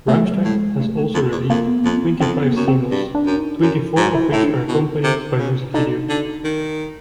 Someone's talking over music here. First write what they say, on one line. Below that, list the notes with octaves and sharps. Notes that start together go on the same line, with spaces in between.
Rammstein has also released twenty-five singles, twenty-four of which are accompanied by music videos.
B2 A3
F#3
G3
A2 G#3
G2 A3
F#2
F2 A#3
E2
F2 A#3
B3
F2 A#3
C4
B3
F2 C4
B3
A#3
F#2 B3
C4
G2
D4
F#2
D#4
F#2 E4
D#4
G#2 E4
E4
A2 E4
D4
D#4
B2 E4
D#4
C3
C#3
D4
D3 D#4
D3
D#3